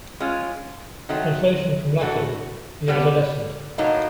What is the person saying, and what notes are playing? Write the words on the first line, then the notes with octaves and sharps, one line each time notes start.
Translation from Latin: “the adolescent”.
G#3 C#4 F4
D#3 F#3 A3 C4
E3 A3 D4 F#4
D3 G3 B3
A2 F#3 A#3 D#4